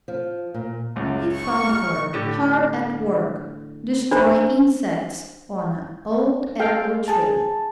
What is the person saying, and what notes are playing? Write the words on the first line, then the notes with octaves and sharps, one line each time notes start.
He found her hard at work destroying insects on an old apple tree.
F3
A#2
C#2 F#2
C#6
A#1 F6
A2 D3 G4
D4 C5 A#5
A4 F5 G5
G#4 A5